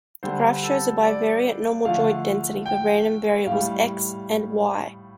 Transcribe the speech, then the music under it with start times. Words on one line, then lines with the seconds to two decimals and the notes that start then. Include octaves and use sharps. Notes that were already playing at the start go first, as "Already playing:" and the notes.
The graph shows a bivariate normal joint density for random variables "X" and "Y".
0.23 D3 G3 C5
0.63 A4
1.05 D5
1.85 D3 F3 A3 F5
2.66 G5
3.47 A2 G3 F5